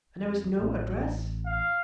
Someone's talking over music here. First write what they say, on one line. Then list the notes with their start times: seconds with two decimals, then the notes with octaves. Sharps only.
And there was no address?
0.22 F2
0.59 A1
1.46 F5